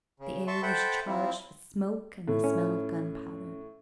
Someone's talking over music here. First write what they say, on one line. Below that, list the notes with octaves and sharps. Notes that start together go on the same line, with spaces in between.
The air was charged with smoke and the smell of gunpowder.
C#3
E5 A5 C6 C#6
A4 C5 E5 F#5 G5 B5
F3 C4 E4
A2
C#4